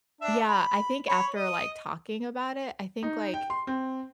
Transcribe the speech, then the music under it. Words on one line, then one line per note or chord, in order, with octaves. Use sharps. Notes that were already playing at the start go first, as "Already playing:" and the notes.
yeah, I think after like, talking about it, I think like
D4 E5
B5
C#5 B5
D#5
D#4
G5
C6
C4